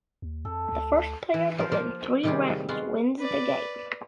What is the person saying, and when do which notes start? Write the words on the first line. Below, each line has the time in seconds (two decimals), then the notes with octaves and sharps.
The first player to win three rounds wins the game.
0.22 D#2
0.45 F2 A4
0.72 D2
1.34 E3
1.58 F3 A#4 C5
1.72 F3 A#3 F4
2.23 C3 D#3 G3 F4 G4 G#4
2.69 G#3 B3 F4 F#4
3.19 B4 D5